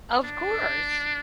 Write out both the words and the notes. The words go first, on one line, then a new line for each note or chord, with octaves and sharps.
Of course.
D4